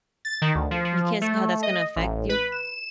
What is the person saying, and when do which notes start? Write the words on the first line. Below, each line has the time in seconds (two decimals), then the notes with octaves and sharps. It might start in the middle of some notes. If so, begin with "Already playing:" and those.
you can't see how that's gonna affect you?
0.25 A6
0.42 D#3
0.55 D2
0.71 F3
0.85 F3
1.22 A3
1.63 D#5
1.96 A1
2.29 B4
2.52 E7